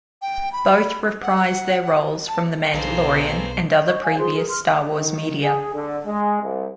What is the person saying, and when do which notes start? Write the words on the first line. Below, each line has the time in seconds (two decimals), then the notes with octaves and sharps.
Both reprise their roles from "The Mandalorian" and other previous "Star Wars" media.
0.22 G5
0.52 B5
1.22 F#5
2.28 A5
2.74 B1 G#4 A4 B4 C5 F5 A#5
3.87 D#5 C#6 G6
4.03 F5 G#5
4.18 F4 G#4 C5 C6
4.34 G#4 A#4
4.49 C6 F6
4.95 D#3
5.42 G#4
5.74 D3
6.05 G#3
6.42 C2